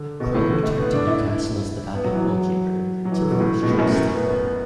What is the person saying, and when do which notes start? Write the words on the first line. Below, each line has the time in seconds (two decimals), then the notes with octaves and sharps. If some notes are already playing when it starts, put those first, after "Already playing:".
Krul returned to Newcastle as the backup goalkeeper to first choice Steve Harper.
Already playing: D3
0.20 B2
0.34 A2
0.49 D3
0.63 A3
0.78 B3
0.93 D4
1.07 E4
1.27 E4
1.95 B3
2.04 F#3
2.14 E3
2.24 F#3
3.05 F#3
3.12 E3
3.21 D3
3.31 B2
3.40 A2
3.63 B2
3.70 A2
3.79 F#2
3.89 A2
4.13 B3
4.28 B3